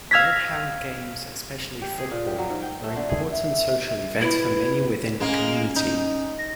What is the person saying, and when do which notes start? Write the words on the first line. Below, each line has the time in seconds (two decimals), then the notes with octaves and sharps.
"Redhounds" games, especially football, are important social events for many within the community.
0.11 F5 E6 G#6 A#6 B6
1.82 G4
1.98 G#4
2.11 A#2
2.27 G4
2.38 F#3
2.50 G#2
2.62 G5
2.84 A3
2.96 D3
3.09 G#4
3.32 E5
4.21 E4 B4
5.20 G#3 A#3 C#4
5.76 D#4
6.38 A#6